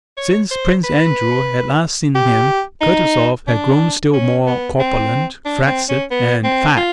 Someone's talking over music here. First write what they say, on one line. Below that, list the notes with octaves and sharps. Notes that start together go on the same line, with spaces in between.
Since Prince Andrew had last seen him Kutuzov had grown still more corpulent, flaccid, and fat.
C#5
C5
B4
G4
D#4
D4
C#4
B3
C4
D4
C4
C#4
B3
C4
F4